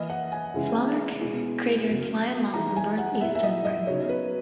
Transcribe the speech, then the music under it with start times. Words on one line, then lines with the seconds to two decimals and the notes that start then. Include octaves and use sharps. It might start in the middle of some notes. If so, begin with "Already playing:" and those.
Smaller craters lie along the northeastern rim.
Already playing: E3 A#3 E4 D#5
0.10 F#5
0.32 G#5
0.54 C#3 E3 G#3 C#4 E4
1.21 B2 G#3 B3 E4
1.87 C#3 F#3 A#3
2.54 E3 G#3 D#4 A#5
2.76 G#5
2.98 F#5
3.14 F#5
3.21 A#2 A#3 E4 E5
3.35 E5
3.43 D#5
3.65 D#5
3.87 C#3 F#3 B3 D#4 C#5
4.09 B4